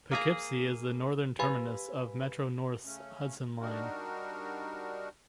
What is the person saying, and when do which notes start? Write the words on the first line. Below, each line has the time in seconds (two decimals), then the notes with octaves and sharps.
Poughkeepsie is the northern terminus of Metro-North's Hudson Line.
0.11 A#3 G#4 A#5
1.39 G4 B4 F5 G#5 B5
2.85 C#3 A3 C#4
3.61 G3 D4 D#4 F#4 A#4